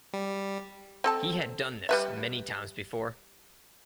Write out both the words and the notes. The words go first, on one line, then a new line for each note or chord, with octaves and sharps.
He had done this many times before.
G3
C4 A4 A5
G3 B4 E5